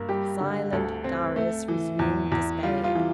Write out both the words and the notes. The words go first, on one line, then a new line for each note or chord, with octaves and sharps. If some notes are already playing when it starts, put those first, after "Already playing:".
Silent, Darius resumed the spade.
Already playing: G2 A#3
G3 G4
D3
D2 A4
C4
A3
E3
E2
E2
G3 F4
F4
E3